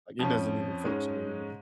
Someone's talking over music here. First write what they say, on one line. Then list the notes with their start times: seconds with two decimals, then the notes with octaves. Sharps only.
like, it doesn't even function anymore.
0.19 F2 F3 C#4
0.84 G#2 G#3 C#4